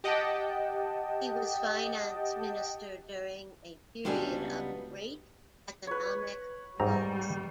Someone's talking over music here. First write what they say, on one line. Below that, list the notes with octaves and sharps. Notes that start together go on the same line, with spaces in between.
He was Finance Minister during a period of great economic growth.
G4 D#5 F#5 G5 A5
C#2 F#3 G3 B3 D4 G#5
B4 C#5
G#2 G3 C4 A#5